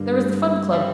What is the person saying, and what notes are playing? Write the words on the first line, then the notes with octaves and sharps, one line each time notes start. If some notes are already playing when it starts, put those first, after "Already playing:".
There was the Fun Club.
Already playing: G2 D3 G3 A#3
D#3 G3 C4 E4